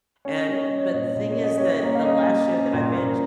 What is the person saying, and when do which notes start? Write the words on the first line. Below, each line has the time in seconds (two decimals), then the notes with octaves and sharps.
and But the thing is that the last show that I binged
0.25 C#4 C#5
0.39 D#5
0.48 G3 C#5
0.65 D#5
0.70 C#4
0.78 C#5
0.91 A#2 D#5
1.05 C#5
1.15 A#2 D#5
1.31 C#5
1.38 C#4
1.44 D#5
1.58 G3 C#5
1.70 D#5
1.83 A#3 C#5
1.95 F5
2.05 C#4 D#5
2.28 G3
2.50 C#4
2.73 A#2
2.90 A#4
2.96 A#2 C5